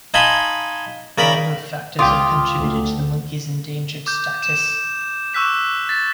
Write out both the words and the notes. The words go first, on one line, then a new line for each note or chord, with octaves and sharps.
A number of factors have contributed to the monkey's endangered status.
D#4 F5 G#5 A5 B5 C6
C#3 A#4 D5 B5
C#2 F4 G5 D6 D#6
D2 A3
D6 G6
E7
C#6 D6 E6 F#6 B6 E7
A6 B6